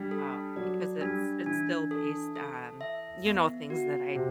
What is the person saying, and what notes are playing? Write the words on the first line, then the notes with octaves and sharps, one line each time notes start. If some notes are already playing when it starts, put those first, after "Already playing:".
um, because it's it's still based on, you know, things that I
Already playing: G3 D4
A4
F#3 D5
G3 D4
E3 D4
A4
A4
E5
B3
F#4
C3